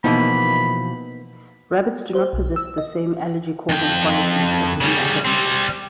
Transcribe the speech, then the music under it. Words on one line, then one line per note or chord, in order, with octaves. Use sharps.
Rabbits do not possess the same allergy-causing qualities as many other animals.
B2 E3 F3 A#3 B3 D#4 B5
C5
B1
E6
D#5
F2 G5
C#3 G3
G3 C4